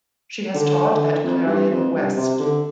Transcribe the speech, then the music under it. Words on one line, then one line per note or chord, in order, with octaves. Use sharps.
She has taught at Clarion West.
D3
D3
F2
G2
F2
G2
C3
D3